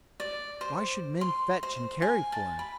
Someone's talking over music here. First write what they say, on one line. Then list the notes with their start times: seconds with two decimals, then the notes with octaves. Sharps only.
Why should men fetch and carry for him?
0.20 D5
0.61 C5
1.21 C6
1.63 C5
2.02 G#5
2.32 A5
2.59 B5